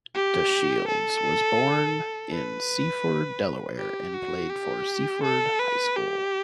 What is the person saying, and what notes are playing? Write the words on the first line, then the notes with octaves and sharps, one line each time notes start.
DeShields was born in Seaford, Delaware and played for Seaford High School.
G4
A4
B4
G4
F#4
G4
A4
B4
G4